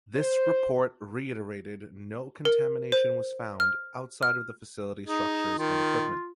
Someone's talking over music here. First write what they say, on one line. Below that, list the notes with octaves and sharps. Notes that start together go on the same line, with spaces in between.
This report reiterated no contamination was found outside of the facility structures and equipment.
C5
A#4
C5
F6
F6
D#4 G#4
D#3 F4